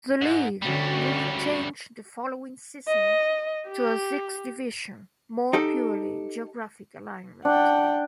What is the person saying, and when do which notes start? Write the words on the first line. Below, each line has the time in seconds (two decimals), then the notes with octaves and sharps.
The league would change the following season to a six-division, more purely geographic alignment.
0.21 G#2
0.62 D2 D3 G3 C#4 F#4
2.87 D#5
3.68 G4
5.53 D#4 G4 A4
7.45 D4 F#5 G5